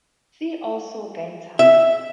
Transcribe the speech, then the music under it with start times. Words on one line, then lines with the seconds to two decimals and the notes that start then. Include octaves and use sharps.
See also Ghanta.
1.59 E5